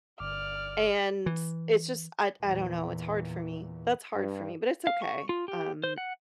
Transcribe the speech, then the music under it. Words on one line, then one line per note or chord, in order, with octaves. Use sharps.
and it's just I I don't know, it's hard for me; that's hard for me. But it's okay. Um
G1 D5 D6 F6
E3
E2 A#2
G2
F5
C#6
F4
G4
C5
F#5